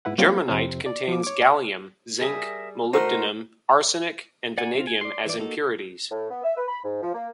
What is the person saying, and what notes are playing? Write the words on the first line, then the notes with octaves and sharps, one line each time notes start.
Germanite contains gallium, zinc, molybdenum, arsenic, and vanadium as impurities.
G#2 E4 B4 F#5
F#3 G3 A#3 C4 F4 G4
F2 C3 C4
D5
F3 D6
C#5 D6
G3 G#4 A#4 E5 D#6
A3 D#4 F#4 A#4 C5 C6
D5 F#5 G#5
C4 F4
G#5
D5 C6
E3 D5
A#3 D#4 F#4 A4
A2
B3
E5
B4
B5
G#2
F3
A#3